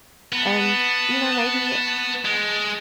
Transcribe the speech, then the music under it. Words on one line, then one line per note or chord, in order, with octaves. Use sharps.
and, you know, maybe
B3 F#4 A5
G#3